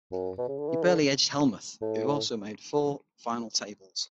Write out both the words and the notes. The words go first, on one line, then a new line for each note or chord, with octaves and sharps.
He barely edged Hellmuth, who also made four final tables.
F#2
B2
C#3
D3
E3
D3
A2